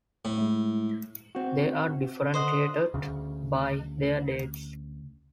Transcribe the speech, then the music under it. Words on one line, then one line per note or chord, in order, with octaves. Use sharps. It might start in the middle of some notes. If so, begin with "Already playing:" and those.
They are differentiated by their dates.
A2
G#3 E4
C4 F#4
D3 C5 D#5 F#5
D2 C#3